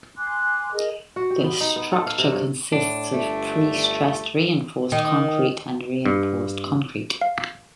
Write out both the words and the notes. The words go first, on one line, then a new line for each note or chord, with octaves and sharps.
The structure consists of prestressed reinforced concrete and reinforced concrete.
G#5 C6 D6 F#6
G#4 A#4 D#5
F#4
G4
B3
D#4
B3
A4
F5
C3
G2
A2 D4
G1 A3
D#3
G2
F5